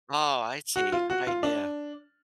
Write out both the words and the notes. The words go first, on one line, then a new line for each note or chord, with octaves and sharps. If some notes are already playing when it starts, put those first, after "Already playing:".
Oh, I see, good idea.
F#4
F4
F#4
F4
D4